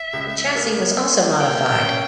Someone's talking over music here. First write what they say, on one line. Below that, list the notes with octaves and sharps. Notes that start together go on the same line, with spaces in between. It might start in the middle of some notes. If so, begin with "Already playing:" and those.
The chassis was also modified.
Already playing: E5
C#2
A#3
C#4
A#3 G5
C#4